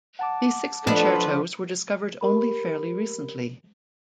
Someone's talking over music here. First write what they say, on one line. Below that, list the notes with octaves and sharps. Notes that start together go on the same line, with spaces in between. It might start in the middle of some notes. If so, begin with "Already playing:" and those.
These six concertos were discovered only fairly recently.
F#5 A5 D6
F3 D4 A4 B4
G4 A#4 B5